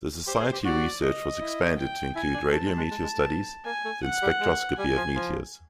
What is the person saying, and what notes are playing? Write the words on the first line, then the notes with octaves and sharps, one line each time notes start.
The society research was expanded to include radio meteor studies, then spectroscopy of meteors.
G4 C5
G#4
G4
F#4 D5
D#5
E4
G5
E4 G#5
D4
A3 A5
G#3
G#3
G#3
G#3
A3
A#3 G#5
A3
F#5
G3
G#3
G3 G#5
F3
F3